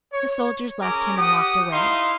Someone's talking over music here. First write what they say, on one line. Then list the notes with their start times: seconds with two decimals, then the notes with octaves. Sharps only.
The soldiers left him and walked away.
0.13 C#5
0.81 C#4 G#4 A#4 A#5 D6
1.17 G4 F#5 D#6
1.73 D#4 E4 F5 C6